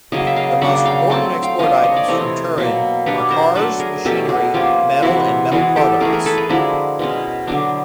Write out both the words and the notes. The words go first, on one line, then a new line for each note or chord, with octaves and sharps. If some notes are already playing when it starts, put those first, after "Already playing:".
The most important export items from Turin are cars, machinery, metal and metal products.
C#3 F#3 A#3 C#5 D#5
E5
D#5 F5
C#3 F#3 A#3 D4 E5 F#5
F5 G5
F#3 A3 C4 G5 A5
F5 G5
F3 A#3 D4 D#5 F5
C#5 D#5
D5
C3 E3 A3 C4 C#5 D#5
B2 F#3 A#3
B2 G3 B3 D4 B4 C#5
A#4 C5
F#3 A3 D4 A4 B4
G#4 A#4
B2 F#3 A3 C#4 G4 A4
F#4 G#4
F3 A#3 C#4 F4 G4
C3 E3 G#3 E4 F#4
E3 G#3 B3 F#4 G#4
G4 A4
E3 A3 C#4 G#4 A#4
G#4 A#4
A4 B4
G#4 A#4
D3 F3 G#3 E4 F#4
B2 G#3 C#4
D3 F#3 B3 D4